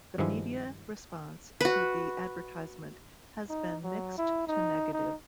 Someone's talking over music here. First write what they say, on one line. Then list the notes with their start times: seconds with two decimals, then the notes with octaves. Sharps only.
The media response to the advertisement has been mixed to negative.
0.18 G2 D#3 F3 G#3 E4
1.61 F#4 B4
3.49 D#4
3.83 F#3
4.18 E4
4.47 D#4
4.93 D#4